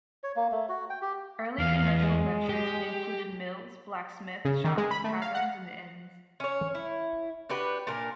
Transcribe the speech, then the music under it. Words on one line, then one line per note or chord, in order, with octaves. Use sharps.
Early commercial ventures included mills, blacksmith shops, taverns, and inns.
C#5
A#3
A3
F#4
G5
G4
E2 F5
G#3
G4
C#3
D#3
G#3
B5
A3
F5
F#5
C#4 C#5
E4
D4 F#4 G4 B4
A#2 D4 A#4